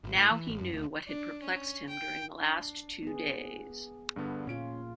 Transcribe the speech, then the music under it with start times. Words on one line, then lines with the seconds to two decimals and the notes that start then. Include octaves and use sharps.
Now he knew what had perplexed him during the last two days.
0.04 G#1
0.16 A2
0.31 E3
0.48 A1
0.61 F#2
0.73 D2
1.07 D4
1.43 C#4
1.89 G5
2.41 D4 C7
3.03 B3 G#4
4.16 G2 D3 B3
4.47 A#2 C#4 F4 D7